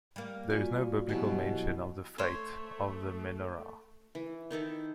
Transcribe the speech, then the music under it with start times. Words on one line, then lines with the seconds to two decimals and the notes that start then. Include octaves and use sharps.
There is no biblical mention of the fate of the menorah.
0.16 G3 A#3
0.50 F4 F#4 D5 G#5 C#6
1.09 B2 E3 F#3 B3 G4 A5
2.18 A3 C5 C#5
4.15 E3
4.51 D#3 D#4 E4 A4